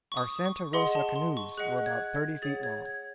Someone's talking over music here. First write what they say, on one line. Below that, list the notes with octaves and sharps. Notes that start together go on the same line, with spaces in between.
Our Santa Rosa canoes were about thirty feet long.
C#6
D#6
C#6
G#4 D#5 F#5 C6
A5
C6
C#6
G#4 D#5 F#5 F#6
F#6
G#6
G#6
G#4 C#5 F#5 A6
G#6
G#6